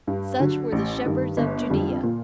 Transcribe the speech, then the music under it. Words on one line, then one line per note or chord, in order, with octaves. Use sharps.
Such were the shepherds of Judea!
G2
D3 F#3
A1
G2 D#3
G1
F2 D3 G3
A#2